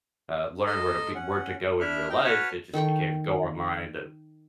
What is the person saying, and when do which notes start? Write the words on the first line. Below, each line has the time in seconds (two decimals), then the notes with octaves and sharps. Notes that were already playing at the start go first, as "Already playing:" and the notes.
uh, learn where to be where to go in real life, it just became "Go online to
0.66 A4 D#5 A#5 C6
1.15 C#4 F#5
1.80 D4 E4 E5 F6
2.10 D#4 G5
2.24 F#4 B4 C#5 A5 F6
2.74 D#3 A4 G5 C#6